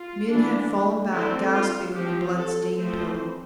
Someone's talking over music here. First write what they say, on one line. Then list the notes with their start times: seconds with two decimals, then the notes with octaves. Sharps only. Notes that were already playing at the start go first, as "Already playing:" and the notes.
Min had fallen back, gasping, on the blood-stained pillow.
Already playing: F4
0.30 E3 A3 D4
1.13 D3 A3 C4 E4
1.53 F4
1.95 F3 C4 G4
2.37 A4
2.77 F3 A3 C4 C5